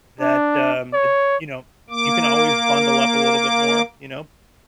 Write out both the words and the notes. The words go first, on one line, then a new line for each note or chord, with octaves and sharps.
that, um, eh you know, you can always bundle up a little bit more. You know?
D4
C#5
A#3 D6